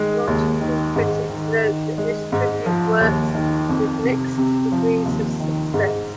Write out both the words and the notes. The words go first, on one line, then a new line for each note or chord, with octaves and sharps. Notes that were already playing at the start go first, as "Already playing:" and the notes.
Multiple critics note that this tribute works with mixed degrees of success.
Already playing: D#3 G#3
D#2
D#3
G#2
D#3
D#3
G#3
G#2
F3
D#2
D#3
F2
C3
C3
F3
D#2
D#3
G#2